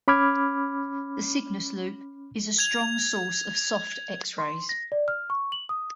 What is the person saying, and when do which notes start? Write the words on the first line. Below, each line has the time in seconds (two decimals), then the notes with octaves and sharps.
The Cygnus Loop is a strong source of soft X-rays.
0.08 C#4 B5 D6 F6 G#6
2.59 G#6 F7
4.38 C6
4.69 A#6
4.92 D5
5.08 F6
5.30 C#6
5.52 F#7
5.69 D#6